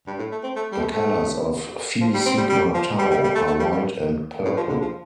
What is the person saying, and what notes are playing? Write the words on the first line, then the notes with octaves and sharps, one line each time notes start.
The colors of Phi Sigma Tau are white and purple.
G2
A2
A3
C4
A3
G3
A3
A3
F3
G3
C4
G3
G3
F3
G3
G3
G3
A3
A3
G3
G3
A2
F3
D3
F3